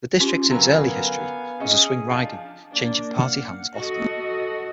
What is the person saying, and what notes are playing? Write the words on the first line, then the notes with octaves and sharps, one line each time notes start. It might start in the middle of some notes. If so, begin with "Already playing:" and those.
The district in its early history was a swing riding changing party hands often.
C#4 F4 G4
D3 F#3 B3 A#4 F5 G#5
C#4 G#4 D#5
F3 D4 F4
A#3 D4
F5 F#5
F#4 A4 D#5